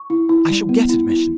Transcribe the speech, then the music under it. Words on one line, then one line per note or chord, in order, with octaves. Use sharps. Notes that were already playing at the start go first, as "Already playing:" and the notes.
"I shall get admission."
Already playing: C#6
E4
E4
G3
B3
E4
E4